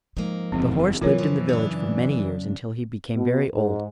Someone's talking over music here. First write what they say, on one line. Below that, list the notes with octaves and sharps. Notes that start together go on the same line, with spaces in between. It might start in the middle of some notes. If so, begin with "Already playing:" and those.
The horse lived in the village for many years, until he became very old.
G#2 F3 A#3
F#1 E2 C4
F#2 E3 F#3 F4 A#4 C#5
F3
C#3 D4
B2
G#2